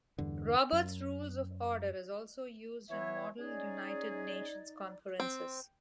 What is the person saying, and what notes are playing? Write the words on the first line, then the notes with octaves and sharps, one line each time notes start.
"Robert's Rules of Order" is also used in Model United Nations conferences.
E2 G2 D3
F#2
E3 B3 C#5 E5 G#6
C#4 D#4 G#4 D5 G#6
C4